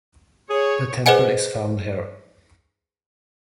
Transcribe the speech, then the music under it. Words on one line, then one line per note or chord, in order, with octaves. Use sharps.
The temple is found here.
G#4 C#5
G#4 B4 C5 D#5 F#5 G#5